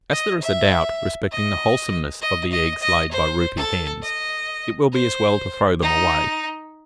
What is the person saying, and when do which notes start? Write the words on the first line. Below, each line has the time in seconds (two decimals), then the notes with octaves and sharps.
As there is a doubt respecting the wholesomeness of the eggs laid by roupy hens, it will be as well to throw them away.
0.11 D#5
0.42 E5
1.32 D#5
2.22 D#5
2.52 D#5
2.82 D#5
3.12 C5
3.57 A4
4.02 D#5
4.92 C5
5.82 D#4